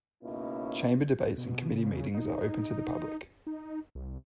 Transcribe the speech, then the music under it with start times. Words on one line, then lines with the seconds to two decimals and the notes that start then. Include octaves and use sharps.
Chamber debates and committee meetings are open to the public.
0.22 C#2 B2 A#3 C#4 D#4 E4
1.38 B2
1.71 C#3
2.14 D#4
3.47 D#4
3.95 C2